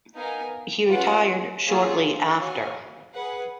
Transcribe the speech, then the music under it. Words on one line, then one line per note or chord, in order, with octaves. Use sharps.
He retired shortly after.
B3 D#4 A#4 F5 G#5
C#4 F4 B4 F#5
A#3 F4 G#4 C#5
F#4 C#5 F5 G#5
G#4 B4 F#5